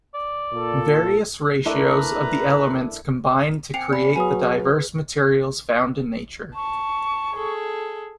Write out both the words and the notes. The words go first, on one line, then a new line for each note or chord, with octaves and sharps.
Various ratios of the elements combine to create the diverse materials found in nature.
D5
A#2 A4
A3 D4 E4 A#4 B4 E5 A#5
C4 G5 G#5 C7 C#7 F7
B3 D5 B5
F#3 G#4 B4 G#5 D#6
A5 C#6
G#4 A4